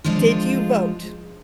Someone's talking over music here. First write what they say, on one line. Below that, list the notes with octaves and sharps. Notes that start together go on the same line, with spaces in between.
"Did you vote?
F3 G#3 D4 F4